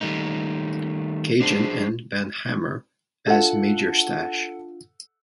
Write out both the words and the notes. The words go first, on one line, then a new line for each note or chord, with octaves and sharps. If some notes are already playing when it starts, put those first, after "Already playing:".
Cajun, and Van Hammer as Major Stash.
D#3 G3 A3 D#4
D4 G#4 C5 A5
D4 F4 A4 F#5